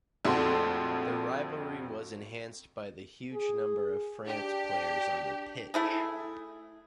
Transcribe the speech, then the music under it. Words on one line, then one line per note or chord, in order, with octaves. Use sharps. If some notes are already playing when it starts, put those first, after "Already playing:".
The rivalry was enhanced by the huge number of France players on the pitch.
A#1 F2 A3 F#4 A4 C6
G#4
D4 G4
A3 E4 G#4